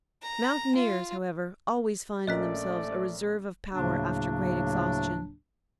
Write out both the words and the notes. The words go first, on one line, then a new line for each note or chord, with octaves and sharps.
Mountaineers, however, always find in themselves a reserve of power after great exhaustion.
A#5
F4
A#1 A3 C#4 A#4 D5 D#5 F#6 B6
D2 A2 C#3 F#3 A#3 D4